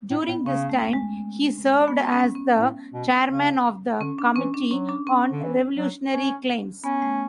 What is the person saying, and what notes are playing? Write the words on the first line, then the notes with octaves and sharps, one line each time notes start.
During this time, he served as the Chairman of the Committee on Revolutionary Claims.
A2
B3
A2
C#3 C#4
A3
G#3
B3
C#4
C#4
A2
B2
C#3
D3 C#4
D4
E3 C#4
D4
F#3 C#4
D4
C#4
D3
E3
F#3
C#4
B3 C#4
A3